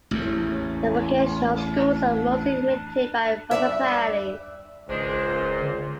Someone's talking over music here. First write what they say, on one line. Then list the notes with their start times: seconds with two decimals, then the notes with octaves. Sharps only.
The vocational schools are mostly maintained by municipalities.
0.11 A1 E2 A2
3.51 G2 B2 D5 E5
4.88 G#1 C#2 D#3 G#3 D4 C5
5.25 D1 A#2
5.60 D3